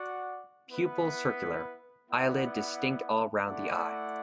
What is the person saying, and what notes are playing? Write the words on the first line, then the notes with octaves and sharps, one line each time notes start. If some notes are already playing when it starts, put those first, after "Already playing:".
Pupil circular; eyelid distinct all round the eye.
Already playing: F#4 D5 F#5
B3 E4 B4
B3 E4 D5 F#5
A3 E4 D5 F#5